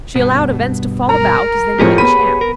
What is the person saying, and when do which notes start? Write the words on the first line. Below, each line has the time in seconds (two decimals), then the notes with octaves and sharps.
She allowed events to fall about as they might chance.
0.16 G2 B2
1.09 A#4 A#5
1.79 F2 A2 F3 G4 G#4 C#5
1.98 B3 B5 D#7
2.41 A#4